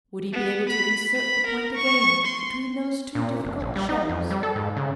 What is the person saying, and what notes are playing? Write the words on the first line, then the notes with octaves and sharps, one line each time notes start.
Would he be able to insert the point again between those two difficult shells?
B3
B5
B5
A#4
C#6
C6
A#2
F1
A#1
G3
D#4
F2
G3
A4
G#2
C#3